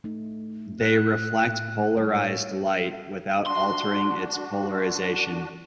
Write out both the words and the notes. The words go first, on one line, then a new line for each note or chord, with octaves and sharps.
They reflect polarized light without altering its polarization.
A3 D#4
A2 F#6
G3 C#5
D4 F#4 C6